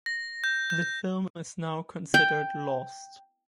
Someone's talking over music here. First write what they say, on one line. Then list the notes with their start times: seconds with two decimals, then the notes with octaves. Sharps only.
The film is now considered lost.
0.06 A#6
0.44 G6
0.70 G6
2.14 G5